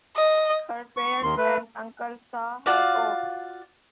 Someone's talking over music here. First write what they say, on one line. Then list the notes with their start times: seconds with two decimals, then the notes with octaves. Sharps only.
Her parents and uncle saw her off.
0.16 D#5
0.97 C#6
1.23 D#2 D#3 C6
1.37 A3 B4
2.66 F4 F#4 D5 F5